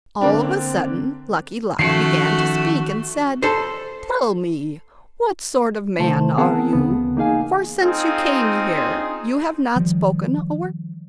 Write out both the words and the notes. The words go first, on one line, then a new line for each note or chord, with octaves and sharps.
All of a sudden Lucky Luck began to speak and said: 'Tell me, what sort of man are you, for since you came here you have not spoken a word?'
D3 A#3 C4 D4
D#3 F3 A3 C#4 F#4 F#5 C7 C#7
A4 C5
C3 D#3 A3 C5 A5
B3 C4 G#4 A#4 F#5 A5
D2 C#3 E3 B3
A#3 D#4 G#4 F5 G#5
C4 D#4 F4 G#4 F5
D#3 F3 G3